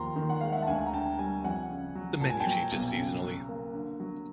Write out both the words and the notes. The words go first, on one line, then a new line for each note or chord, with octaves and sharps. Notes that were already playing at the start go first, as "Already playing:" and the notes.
The menu changes seasonally.
Already playing: D#2 F3 A#5 C6
D#3
F#5
G#3 F5
E5 F#5
A5
D2 F#5 G#5
A#5
D3 G5 A5
G3 G#5 A#5
F2 F#5 G#5
C#3
F#3
A#2 A5
G#5
G5 A5
F#3
B1
C#3
F#3
A#3
D3
F#3